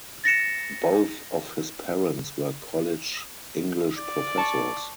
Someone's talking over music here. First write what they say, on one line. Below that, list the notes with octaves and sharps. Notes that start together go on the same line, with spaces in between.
Both of his parents were college English professors.
A6 A#6 C#7 E7
D5
A5 C#6